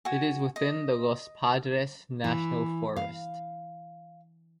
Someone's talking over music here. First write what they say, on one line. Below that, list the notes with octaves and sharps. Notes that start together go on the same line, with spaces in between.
It is within the Los Padres National Forest.
F#4 G#5
D#5
E3
F5